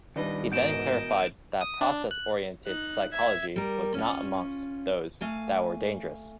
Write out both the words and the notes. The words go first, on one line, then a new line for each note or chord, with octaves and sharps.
He then clarified that process oriented psychology was not amongst those that were dangerous.
D#3 G3 D4 B4 D#5
G#2 B2 E3 A#4 D#5 G6 D7 E7
D#6
D4
F#6
D#4 F#6
E5 G#6
G3 A#4
C#4 F4
A3 F5 G#5